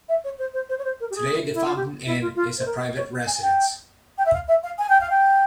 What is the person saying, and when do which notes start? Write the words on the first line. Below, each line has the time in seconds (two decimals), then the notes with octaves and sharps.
Today, the Fountain Inn is a private residence.
0.09 E5
0.24 C#5
0.39 C5
0.54 C5
0.69 C5
0.79 C#5
0.84 C5
1.00 A#4
1.10 G4
1.15 G#4
1.54 E4
1.65 F4
1.76 G4
2.06 E4
2.21 F4
2.36 F4
2.59 C5
2.66 A#4
2.97 C#5
3.27 G#5
3.42 G5
4.18 G5
4.26 E5
4.33 F5
4.48 E5
4.63 F5
4.78 G#5
4.89 G5
5.01 F5
5.10 G5